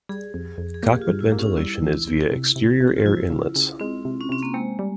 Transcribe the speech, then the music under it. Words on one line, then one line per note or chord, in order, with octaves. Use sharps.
Cockpit ventilation is via exterior air inlets.
G3 G#4
F2
F2
G#4
A#3 G4
F4
G2
E4
A#3
C#4
G3 E4
E2
E2
C3
C3
C3
G4
F4
F3 E4
C#3
C#3
G#3 C4
C3
C#4
C3 C4
A#3
G#3 C4
G3